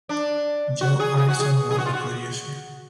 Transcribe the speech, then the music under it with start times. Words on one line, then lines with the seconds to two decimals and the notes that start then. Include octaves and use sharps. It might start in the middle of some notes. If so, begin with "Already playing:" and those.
Joe Allison was the producer.
0.09 D4
0.81 F#4
1.00 G#4
1.17 G#4
1.28 F#4
1.40 G#4
1.71 G#4
1.78 F#4
1.86 F4
1.93 F#4